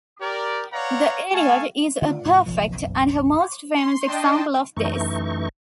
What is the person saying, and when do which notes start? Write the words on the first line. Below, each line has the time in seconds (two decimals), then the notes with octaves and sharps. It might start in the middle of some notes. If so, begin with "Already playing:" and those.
"The Idiot" is a perfect, and her most famous, example of this.
0.21 G4 A#4 D5
0.73 B4 C#5 D5 F5 F#5 A#5
1.33 A3 A4 F5 G#5 A5 C#6
2.02 D3 D#3 A3 F4 D5
2.25 G#2 C3 E3
2.46 F#1 B1 E3 F3
2.85 F#2
3.74 C6
4.07 D4 D#5 G5 A5 C6
4.77 F#2 E3 A3 D#4 C#6